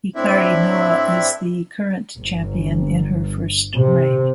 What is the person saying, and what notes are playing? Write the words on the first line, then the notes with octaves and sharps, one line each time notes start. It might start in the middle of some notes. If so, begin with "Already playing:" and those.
Hikari Noa is the current champion in her first reign.
A2 C4 D4 E4 E5
G1
C3